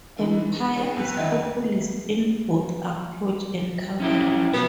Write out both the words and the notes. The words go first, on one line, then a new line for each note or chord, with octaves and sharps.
"Empire" is populist in both approach and coverage.
D3 E3 D#4
C#3 C4 G#4
F2 C4 B4
D3 D#3 G#3 D#5 E5 F#5
C#4 E4 G4
B2 F3 B3